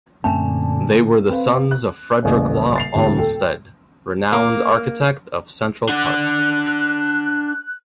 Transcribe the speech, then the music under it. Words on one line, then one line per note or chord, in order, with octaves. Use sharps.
They were the sons of Frederick Law Olmsted, renowned architect of Central Park.
F#2 A#2 D3 A3 C4 G#5 A5
C4 B4 F5
F#6
D#1 A1 C#3 D5
A6 C7 F7
E1 D2 A2 G4
A4 G5
A#3
D4 F#5 F#6